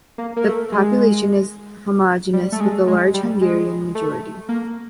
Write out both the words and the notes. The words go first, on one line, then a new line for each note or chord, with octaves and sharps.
The population is homogeneous with a large Hungarian majority.
A#3
A#3
A3
G#3
G3
A3
G#3
G#3
G3
G#3
A3
A#3